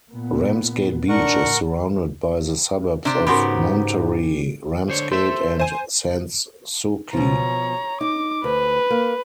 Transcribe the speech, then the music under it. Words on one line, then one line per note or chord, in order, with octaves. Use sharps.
Ramsgate Beach is surrounded by the suburbs of Monterey, Ramsgate and Sans Souci.
A#2 B3
A2 D4 A#4 F#5 C#6
C3 D4 G4 C5
G#2 C#3 B3 F#4 G4 A#4 B5 C6
D3 C5 C#5
A4 C5 E5
C5 G#5
B2 F3 C#5 A#5
D#4 D6
D2 B4
A#3